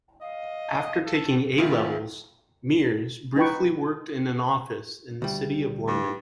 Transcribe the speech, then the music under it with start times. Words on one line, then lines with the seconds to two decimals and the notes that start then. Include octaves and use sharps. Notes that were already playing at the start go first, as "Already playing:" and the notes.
After taking A-levels, Mears briefly worked in an office in the City of London.
0.21 D#5 F5
1.06 A4
1.58 D2 C3 D#3 F4 B4 E5
3.36 D#4 B4 G5 C#6
5.22 D2 G3
5.88 G2